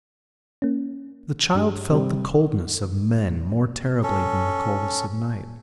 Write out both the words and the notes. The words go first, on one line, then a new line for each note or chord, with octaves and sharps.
The child felt the coldness of men more terribly than the coldness of night.
A#3 C#4
G2 D4 G4
C3 G3
C#4 A4